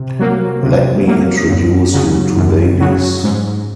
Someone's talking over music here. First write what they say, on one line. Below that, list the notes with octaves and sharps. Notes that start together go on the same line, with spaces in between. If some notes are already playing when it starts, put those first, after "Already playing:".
Let me introduce you two ladies.
Already playing: C3
F#3 A#3
C3
F#3 A#3
F#2
C#3 F#3
F#2
C#3 F#3
G#2